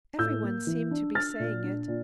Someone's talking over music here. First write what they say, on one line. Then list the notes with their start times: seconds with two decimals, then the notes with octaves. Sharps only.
Everyone seemed to be saying it.
0.19 A2 E6 G6
0.43 A#3
0.67 E3
0.91 D4
1.15 D4 F6 A6
1.39 A#2
1.63 D4
1.88 A#2